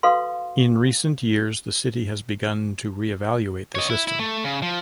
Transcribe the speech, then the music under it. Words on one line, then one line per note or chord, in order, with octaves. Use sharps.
In recent years, the city has begun to re-evaluate the system.
F#4 A4 B4 F5 C6
C#5 D#5
E4
E4
A3
C#3
F3